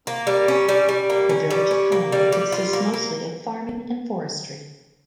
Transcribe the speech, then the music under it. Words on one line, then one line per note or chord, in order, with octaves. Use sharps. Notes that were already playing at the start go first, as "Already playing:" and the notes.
The village economy consists mostly of farming and forestry.
A#3
G3
C#4
G3
G3
A#3
C#4
G3
C#4
A#3
G3
G3
F4
A#3
A#3